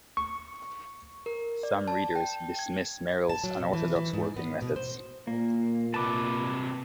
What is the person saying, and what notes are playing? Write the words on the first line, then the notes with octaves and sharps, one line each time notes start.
Some readers dismiss Merrill's unorthodox working methods.
C#6
A#4
D5
A5
G5
G#6
A5
F#3
B2
E3
E3
G#2
B3
B2
C5
A#2 A#3
C3 B4 A5 D6